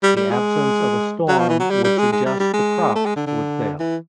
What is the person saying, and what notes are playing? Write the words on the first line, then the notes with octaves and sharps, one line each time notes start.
The absence of a storm would suggest the crops would fail.
G3
G3
G#3
F#3
F3
E3
F#3
G3
G3
G#3
G#3
G3
G3
G#3
A3
G#3
D3
D3
E3